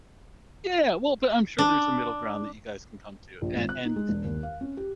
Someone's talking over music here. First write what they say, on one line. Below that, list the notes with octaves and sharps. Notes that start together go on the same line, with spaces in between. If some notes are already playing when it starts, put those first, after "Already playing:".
Yeah, well, but I'm sure there's a middle ground that you guys can come to and and
D4
A#1
G#1
F#6
D#4
G#3
E1
D#2
F5
C#4
G4